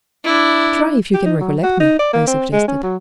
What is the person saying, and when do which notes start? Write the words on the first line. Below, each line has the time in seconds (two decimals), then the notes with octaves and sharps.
"Try if you can recollect me," I suggested.
0.24 D4 E4
1.14 G4
1.26 D#4
1.41 F#3
1.64 F#4
1.80 D#4
1.99 D5
2.13 A#3
2.28 C4
2.53 G#3
2.68 C#4
2.83 F#3